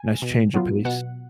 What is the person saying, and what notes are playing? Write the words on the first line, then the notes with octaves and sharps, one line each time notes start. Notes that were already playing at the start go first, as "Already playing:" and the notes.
Nice change of pace.
Already playing: G#5
B2
F#3 B3 F4
B2 F#5